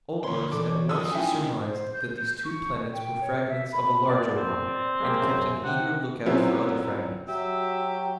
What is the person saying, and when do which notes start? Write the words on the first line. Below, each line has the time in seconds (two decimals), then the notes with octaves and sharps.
Olbers at once surmised that these two planets were fragments of a larger one, and kept an eager look out for other fragments.
0.24 D2 D4 C#5 B5 C6
0.52 E3 A4 D5 D6
0.70 C#5
0.89 F4 F#4 A4 D#6 E6
1.11 F3 C#4 D#4 E4 G5 G#5
1.61 C5
1.93 G6
2.20 G6
2.45 C#6
2.93 G5
3.21 C#5
3.47 E5
3.72 B5
4.08 A#2 B3 D5 A5
4.38 C4
4.68 D5
5.00 G#3 A#3 G4
5.22 F#2 C#3 F#3
5.64 C3 F#5 G5
6.26 F#3 C4 C#4 E4 F4
7.28 F#3 G4 E5